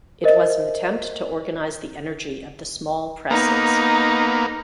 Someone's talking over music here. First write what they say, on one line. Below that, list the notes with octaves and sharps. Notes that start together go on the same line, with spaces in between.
It was an attempt to organize the energy of the small presses.
A#4 C5 D#5 E5
A#3 B3 D#4